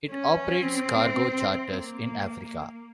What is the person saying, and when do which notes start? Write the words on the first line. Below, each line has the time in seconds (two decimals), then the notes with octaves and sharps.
It operates cargo charters in Africa.
0.11 C#4
0.63 C4
1.68 A#3